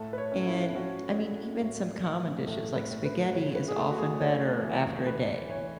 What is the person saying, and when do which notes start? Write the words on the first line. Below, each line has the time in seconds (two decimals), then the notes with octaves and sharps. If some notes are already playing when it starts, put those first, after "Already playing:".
and, I mean, even some common dishes, like spaghetti is often better after a day,
Already playing: A2 A4
0.13 B4
0.18 C#5
0.32 C#4
0.46 E4
0.75 C#4 F#4
1.18 G#3
1.61 A2
2.05 A2
2.47 A2 A4
2.76 B4
2.91 A2
3.05 B4
3.34 C#3 C#5
3.55 B4
3.68 G#4
3.77 A3 A4
3.91 F#4
3.98 G#4
4.19 A3 C#5
4.63 E3
5.06 D2 B4
5.49 E3 C#5